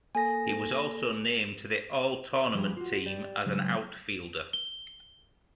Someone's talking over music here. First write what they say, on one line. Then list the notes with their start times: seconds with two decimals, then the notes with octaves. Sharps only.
He was also named to the All-Tournament team as an outfielder.
0.15 A#3 A4 G#5 A#6
2.55 F3 G3 G#4
2.77 F4 F#4
3.06 G4 D5
3.46 C#3 F#3 G#3
4.53 G7